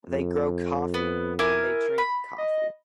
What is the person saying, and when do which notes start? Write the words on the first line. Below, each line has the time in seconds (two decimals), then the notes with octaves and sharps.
They grow coffee and they drink coffee.
0.10 F2
0.94 B3
1.39 E4 A#4 G#5 D6
1.98 B5
2.38 D#5